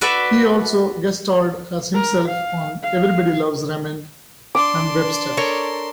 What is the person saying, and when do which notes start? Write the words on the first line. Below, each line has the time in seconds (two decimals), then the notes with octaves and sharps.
He also guest starred as himself on "Everybody Loves Raymond" and "Webster".
0.01 F#4 A4 B4 D5 E5
1.94 A#4
2.28 F5
2.83 F5
4.55 D4 C6 D6
5.37 A4 A#4 C#5